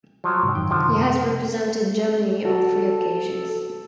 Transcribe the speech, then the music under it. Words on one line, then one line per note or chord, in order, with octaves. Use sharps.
He has represented Germany on three occasions.
F3 F#3 C#5
G#2 C3
F#2 D#3 G5
D3 F3
F#4 A4